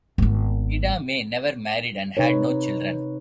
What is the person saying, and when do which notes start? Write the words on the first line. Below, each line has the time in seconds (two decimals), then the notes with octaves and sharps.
Ida May never married and had no children.
0.18 G#1 B3
2.17 C3 D#4 B4 C#5